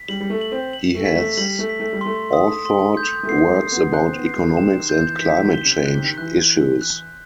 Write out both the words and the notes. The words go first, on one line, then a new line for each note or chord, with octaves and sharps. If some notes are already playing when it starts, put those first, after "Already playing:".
He has authored works about economics and climate change issues.
Already playing: B6
G3 F#7
G3
A3
F#7
C4
F#7
A3
B6
A3
G3 F#7
A3
B6
A3
G3
A3 C6
D#6
C6
G6
A3
B3 C7
G3
A3
C7
B3
C4 F#6
C4
B3
C7
A3
C3 E7
D#3
G6
E3
E3 B6
F#3
E3
D#3 G7
C3
D#3 F#6
C3
D#3
E3 F#6
F#6
F#6